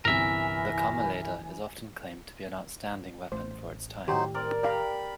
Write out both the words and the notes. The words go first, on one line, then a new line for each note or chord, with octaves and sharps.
The "kammerlader" is often claimed to be an outstanding weapon for its time.
G1 C2 E3 A#4 E5 G#5
A1 A3 C5
A2 D#3 F#3 D#4 G4 C5
C4 A#4 D5
G4 D5 F5 A#5 B5